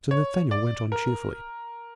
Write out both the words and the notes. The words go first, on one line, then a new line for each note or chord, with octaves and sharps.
Sir Nathaniel went on cheerfully.
C#5
D5
A#4